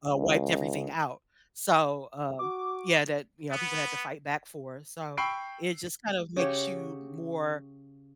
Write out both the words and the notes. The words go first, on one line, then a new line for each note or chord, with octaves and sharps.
uh, wiped everything out. So, um, yeah, that, you know, people had to fight back for, so, it just kind of makes you more,
C#2
F#4 D6
B3
G5 B5 C#6 E6 C7 D7
C#3 F#4 G4 C#5